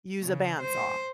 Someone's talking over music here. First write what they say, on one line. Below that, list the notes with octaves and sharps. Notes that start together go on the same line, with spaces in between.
use a band saw
C#3
C5